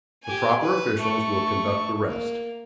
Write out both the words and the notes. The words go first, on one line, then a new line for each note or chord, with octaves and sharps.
The proper officials will conduct the rest....
G4 G#5
B4
A3 C#6
A#3